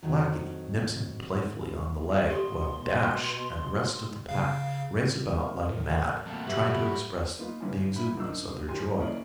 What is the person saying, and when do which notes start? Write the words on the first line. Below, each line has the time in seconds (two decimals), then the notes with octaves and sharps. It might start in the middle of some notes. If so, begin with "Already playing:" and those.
Blackie nips him playfully on the leg while Dash and the rest of the pack race about like mad, trying to express the exuberance of their joy.
0.03 F2 G#2 D#3 F#3
2.30 B2 G4 A4 C6
4.29 C#3 F5
5.19 A#4
5.69 A2
6.26 F2 B2 A3 A#3
6.47 G2 F#3 G4 A4 B4 E5 B5
7.39 A#3 B3 D#4 F4
7.61 G2 D3 G3 C#4 E4 G#5
7.96 E4 B5
8.17 F#2 F3 D4 D#4 E6
8.68 A2 D#3 G4 G#5 C6
8.99 E3 A#3 C#4 E4 D5 D#5